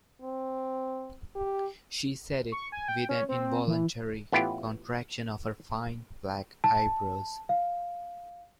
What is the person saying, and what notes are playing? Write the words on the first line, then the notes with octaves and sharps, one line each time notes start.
She said it with an involuntary contraction of her fine black eyebrows.
C4
G4
C#6
G#5
G5
C#4
C4
E3
A1 B3 E4 F4 G4
A5
F5